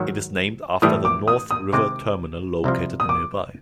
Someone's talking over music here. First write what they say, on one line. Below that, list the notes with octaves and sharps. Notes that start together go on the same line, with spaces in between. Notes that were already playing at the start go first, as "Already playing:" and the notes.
It is named after the North River Terminal located nearby.
Already playing: G#2 D#3 F#3
A2 E3 G3 D#6
D6
D#6
D#6
C3 D#3 G#3 C4 D6
C2 C3 F3
D#6
D6